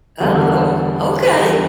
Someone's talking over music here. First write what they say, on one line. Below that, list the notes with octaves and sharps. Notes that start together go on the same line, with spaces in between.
Oh, okay,
E2 D3 G3
E2 C3 G3 D4